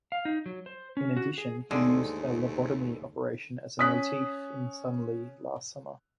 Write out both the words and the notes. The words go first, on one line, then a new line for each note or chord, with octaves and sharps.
In addition, he used a lobotomy operation as a motif in "Suddenly, Last Summer".
F5
D#4
F#3
C5
C#4
F#4
G#4
D#2 G#2 D3 G#3 A3
C#4 D#6 F#6 B6